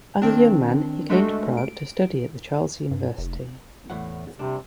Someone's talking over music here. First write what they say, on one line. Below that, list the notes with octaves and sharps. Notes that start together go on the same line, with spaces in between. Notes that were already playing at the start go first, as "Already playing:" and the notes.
As a young man he came to Prague to study at the Charles University.
D#3 C4 D4
G#3 A3 D4 F#4 A4
D7
G2
F1
E2 A2 F#5
C2 C3 D4